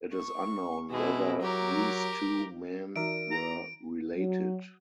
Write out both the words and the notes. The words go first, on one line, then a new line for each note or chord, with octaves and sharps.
It is unknown whether these two men were related.
C#6
B2 G#3 E4
F#3 G4 A#4
E3 D#4 F#4 A#4 D5 E5 D7
A#5
F#3